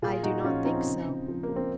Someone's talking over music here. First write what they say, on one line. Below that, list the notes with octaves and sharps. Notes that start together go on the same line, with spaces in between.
"I do not think so."
A#2 F4 G#4
A#2 D#4 F#4
F3 C#4 F4
F3 C4 D#4
C#3
C#3
F3
A#3
F3
C4